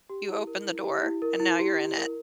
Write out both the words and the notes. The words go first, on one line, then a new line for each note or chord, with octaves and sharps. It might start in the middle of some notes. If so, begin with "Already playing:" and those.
You opened the door, and now you're in it.
G4
E4
A#4
E4
G4
E4
A#4
E4
G4
E4
A#4